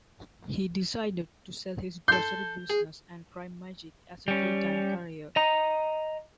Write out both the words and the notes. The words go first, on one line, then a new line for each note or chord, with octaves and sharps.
He decided to sell his grocery business and try magic as a full-time career.
A4 C6 G6
G#4
G3 C#4
D#5 A#5